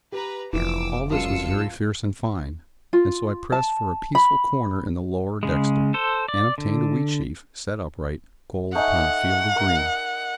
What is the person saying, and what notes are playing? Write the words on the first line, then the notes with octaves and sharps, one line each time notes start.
All this was very fierce and fine; and so I pressed for a peaceful corner in the lower dexter, and obtained a wheat-sheaf set upright, gold upon a field of green.
G4 B4 A#5
F1 A#1 E3 D6 E6
C#2 F#2 F4 A5 E6 C#7
F4
A5
B5
C#3 G#3
A4 C5
D5
D3
A3 D#4 F#5 G#5
A#4